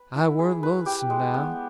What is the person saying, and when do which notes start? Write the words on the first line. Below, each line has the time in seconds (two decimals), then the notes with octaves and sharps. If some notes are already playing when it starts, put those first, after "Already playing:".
I warn't lonesome now.
Already playing: B4
0.16 E4
0.39 G#4
0.63 B4
0.86 G4
1.10 G#3
1.34 B3